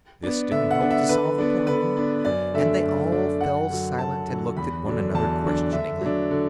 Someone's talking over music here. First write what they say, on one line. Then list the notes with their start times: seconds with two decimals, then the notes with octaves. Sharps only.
This didn't help to solve the problem, and they all fell silent and looked at one another questioningly.
0.23 B3 D4
0.51 D3 E5
0.71 F#5
0.81 B3 D4
0.91 E5
1.09 D3 B4
1.38 B3 D4
1.67 D3 B4
1.97 B3 D4
2.25 F#2 D5
2.54 D3 A3 D4 E5
2.83 F#2
3.12 D3 A3 D4
3.41 F#2 F#5
3.70 D3 F#3
3.99 F#2 A5
4.28 D3 F#3
4.57 E2 B5
4.86 D3 F#3 D4
5.14 E2 A5
5.43 D3 F#3 D4
5.72 D3 E5
6.01 F#3 A3 D4
6.31 D3